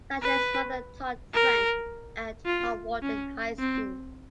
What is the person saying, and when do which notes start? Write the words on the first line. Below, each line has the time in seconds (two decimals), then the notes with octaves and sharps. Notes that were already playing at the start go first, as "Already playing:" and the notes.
Sasha's mother taught French at Hawarden High School.
0.22 B4
1.34 A#4
2.46 F4
3.02 C#4
3.59 C4